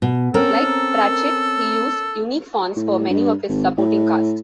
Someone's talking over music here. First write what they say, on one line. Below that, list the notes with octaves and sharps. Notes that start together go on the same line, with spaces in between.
Like Pratchett, he used unique fonts for many of his supporting cast.
B2
C4 C#4 A4 A#4
A2
G2
G#1
A2